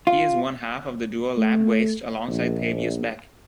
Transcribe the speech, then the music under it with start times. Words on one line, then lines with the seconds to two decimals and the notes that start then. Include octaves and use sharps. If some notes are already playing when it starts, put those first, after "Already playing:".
He is one half of the duo Lab Waste alongside Thavius Beck.
0.07 F4
1.37 A3
2.28 A#1